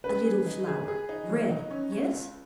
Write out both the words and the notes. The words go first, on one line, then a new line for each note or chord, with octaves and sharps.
A little flower--red?--yes!
C#3 B4
G#4
D#4
G#4
G#4
D#4
F#3
D#4
C#4
C#4
C#2